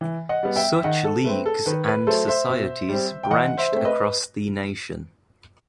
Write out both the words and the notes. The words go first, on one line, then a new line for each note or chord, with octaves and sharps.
Such leagues and societies branched across the nation.
E3
D#5 F#5
G3 B3
E5 G5
D#3 D#5 F#5
A4
A3 C4 B4
A4
D#3 B4
B4
F#3 A3 A4 C5
C5 E5
B2
G3 C4
G5
E3 D#5 F#5
C5 E5
A3 C4
B4 D#5